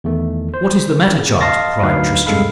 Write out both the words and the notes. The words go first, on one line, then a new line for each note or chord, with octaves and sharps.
"What is the matter, child?" cried Tristram..
E2 D#3 A3
C5
C#3
D#5 F5 A5 C6 A6 A#6
D2 F#3 D4 D#4 B4 F5
G2 C3 G#3 A4 F5 B5